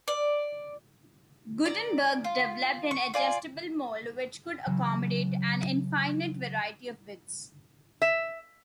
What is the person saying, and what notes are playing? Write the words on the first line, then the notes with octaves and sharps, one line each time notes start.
Gutenberg developed an adjustable mold which could accommodate an infinite variety of widths.
D5
D5 A#5
F4
C#6
F4 D5 G#5
C#3 E3 F#3
E5